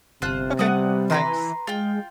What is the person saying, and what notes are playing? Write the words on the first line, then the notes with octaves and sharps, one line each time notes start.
Ok, thanks.
G1 C3 F4 C5 F#6
G3 B3 F#5 D#6
E3 B4 A#5 C6
G#3 F4 G5